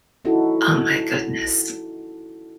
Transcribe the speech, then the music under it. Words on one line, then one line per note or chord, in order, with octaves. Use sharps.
Oh my goodness.
C#4 D#4 E4 F#4 A4